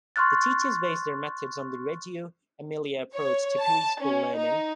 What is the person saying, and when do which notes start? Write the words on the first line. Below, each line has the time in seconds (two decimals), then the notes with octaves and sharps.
The teachers base their methods on the Reggio Emilia approach to pre-school learning.
0.16 C6 C#6 F6 F#6 A6
3.15 C#5
3.60 A5
4.01 C#4
4.37 D#4